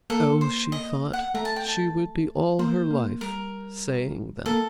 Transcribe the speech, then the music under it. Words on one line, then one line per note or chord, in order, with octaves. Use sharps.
Oh, she thought, she would be all her life saying them!
A#3 A4
C5
D#5
F#5
A3 A#5
A5
G5
A5
A#3 C5
A#3
G3 A#4
A#3 A4